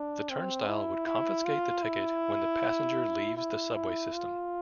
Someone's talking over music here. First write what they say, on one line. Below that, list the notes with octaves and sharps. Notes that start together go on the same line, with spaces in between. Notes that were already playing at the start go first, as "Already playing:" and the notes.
The turnstile would confiscate the ticket when the passenger leaves the subway system.
Already playing: D4
C4
E4
E4
F4
E4
E4
E4
F4